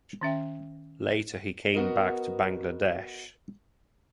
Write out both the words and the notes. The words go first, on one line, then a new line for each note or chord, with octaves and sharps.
Later he came back to Bangladesh.
D#3 C#4 E5 G5
B3 F#4 A#4 D#5